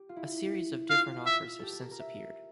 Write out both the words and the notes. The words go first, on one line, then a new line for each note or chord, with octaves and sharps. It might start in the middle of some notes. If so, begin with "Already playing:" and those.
A series of different offers have since appeared.
Already playing: G4
F4
E4
F4 F5
E5
G4 A4
A4
A#4
A#4
E5